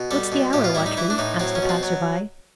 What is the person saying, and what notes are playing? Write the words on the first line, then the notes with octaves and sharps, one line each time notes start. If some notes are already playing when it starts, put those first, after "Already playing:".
"What's the hour, watchman?" asked a passer-by.
Already playing: B2
G3 A4
B2
A2 G4
F4
G3 E4
D#4
E3 E4
D4
A2 D#4
F#3 C4
C#4
B2
C4
F#3